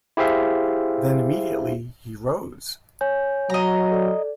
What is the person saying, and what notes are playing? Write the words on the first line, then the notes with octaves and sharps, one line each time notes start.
Then immediately he rose.
E4 G4 G#4 C5 E5 F5
C#5 G#5 G6
F#3 D#5 A#5
A4 D5